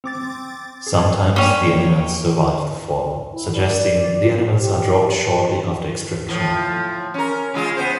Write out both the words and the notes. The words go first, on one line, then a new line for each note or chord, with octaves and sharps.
Sometimes the animals survive the fall, suggesting the animals are dropped shortly after extraction.
C4 D6 A6
G#4
G3 A#3 C#4 G5
E4
D5
G4
A2 F3
C#4 A#4
C#3 G#3 F4
B3 C5